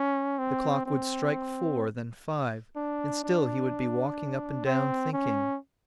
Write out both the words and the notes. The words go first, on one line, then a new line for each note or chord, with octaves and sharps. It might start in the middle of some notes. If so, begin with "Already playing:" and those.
The clock would strike four, then five, and still he would be walking up and down thinking.
Already playing: C#4
C4
C4
D4
D4
C4
C#4